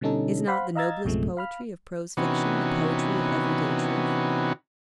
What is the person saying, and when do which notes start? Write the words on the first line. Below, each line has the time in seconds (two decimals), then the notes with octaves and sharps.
Is not the noblest poetry of prose fiction the poetry of every-day truth?
0.01 B2 D3 G3 C#4 D#4 A4
0.47 C5 F5 F#5 B5 C6
0.75 D#5 F5 A#5 E6 G#6 A6
1.05 A#1 F#2 C3 F3 G#3 A3
1.37 F5 B5 F6
2.17 C3 E3 B3 C#4 D#4 F#4